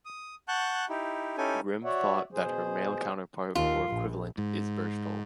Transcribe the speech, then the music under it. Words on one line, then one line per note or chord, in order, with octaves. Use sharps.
Grimm thought that her male counterpart or equivalent is Berchtold.
D#6
F#5 A5 C#6 F#6 G6
D#4 E4 G4
C#4 D#4 E4 G4 A4 G#5
F#4 C#5 D5 E5 F#5
B2 G#4 C5
D#2 F4
A#1
G#2